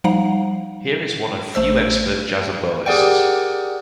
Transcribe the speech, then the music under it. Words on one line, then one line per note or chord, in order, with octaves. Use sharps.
He is one of few expert jazz oboists.
F3 G3 D#4 F5 F#5 A#5
A1 A3 C5 E6
G4 G#4 A#4 D5 F#5 G5